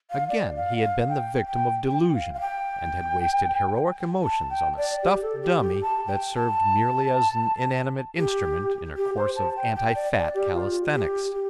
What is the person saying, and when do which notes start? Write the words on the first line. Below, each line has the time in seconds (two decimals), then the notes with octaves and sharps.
Again he had been the victim of delusion and had wasted heroic emotions on a stuffed dummy that served merely as an inanimate instrument in a course of anti-fat calisthenics.
0.11 F5
0.29 D5
0.56 F5
0.82 F5
1.09 G5
1.48 G5
1.88 G5
2.14 F5
2.34 F5
2.40 G5
4.24 A5
4.50 G5
4.77 D5
5.03 G4
5.22 A4
5.43 G4
5.61 G4
5.82 A5
6.07 G5
6.34 A5
8.18 G4
8.97 G4
9.16 C5
9.36 A5
9.56 G5
9.76 G5
9.95 D5
10.15 D5
10.35 G4
10.54 F4
10.93 G4
11.33 G4